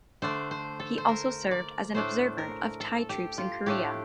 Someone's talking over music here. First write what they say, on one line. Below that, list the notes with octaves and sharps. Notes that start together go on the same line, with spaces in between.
He also served as an observer of Thai troops in Korea.
D3 A3 D4 C5
C5
A4
C5
A#4
D5
A2 A3 D4 C5
A#4
A4
G4
F4
A2 A3 D4 G4